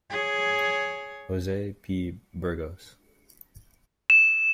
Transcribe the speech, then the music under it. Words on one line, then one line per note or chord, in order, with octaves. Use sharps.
Jose P. Burgos.
G#4 C#5
E7